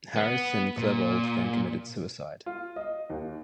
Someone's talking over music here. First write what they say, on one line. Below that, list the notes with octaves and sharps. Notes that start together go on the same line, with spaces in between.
Harris and Klebold then committed suicide.
B3
A#2
F4
D#5
D#2